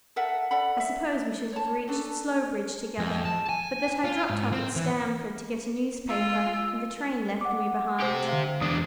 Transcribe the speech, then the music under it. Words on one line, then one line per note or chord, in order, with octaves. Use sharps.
"I suppose we should have reached Slowbridge together, but that I dropped off at Stamford to get a newspaper, and the train left me behind."
A4 A#4 E5 F#5
A4 D5 F#5 B5
E5
C#5 A5
C#4 D4 A4
F2
A5
G#5
F4
G#2
C4
E3
G#3 F4 F5 E6
F#5 D6
G4 C5
D3 F5
E2 D4 D#6